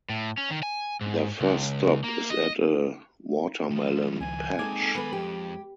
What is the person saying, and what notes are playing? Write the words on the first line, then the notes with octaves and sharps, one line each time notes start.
Their first stop is at a watermelon patch.
A2
C#4
D#3
G#5
G#2
C#2
A#3
D#5
D#3 F3
C#2 G#5
G#3 A#3 C4 D#4 A4 D6 G#6
D#3 B3 B4 B5
F2 G4